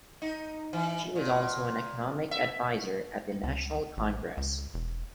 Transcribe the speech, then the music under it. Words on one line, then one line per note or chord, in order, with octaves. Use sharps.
She was also an economic advisor at the National Congress.
D#4
E3
A#2
E5
C#2
A1
C#2
E1